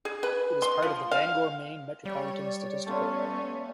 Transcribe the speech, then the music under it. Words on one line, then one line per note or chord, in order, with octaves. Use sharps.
It is part of the Bangor, Maine Metropolitan Statistical Area.
G#4
B4
C6
F3
F5
G3 C#5 D5
A3 B3 C#4 C#5 F5 C6